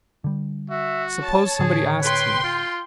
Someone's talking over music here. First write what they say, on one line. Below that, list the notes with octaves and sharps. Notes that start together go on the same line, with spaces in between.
"Suppose somebody asks me?"
D3 G3
F#4 E5
C#5 A5
A2 D3 D4 G#4
B4 G5 C6
F4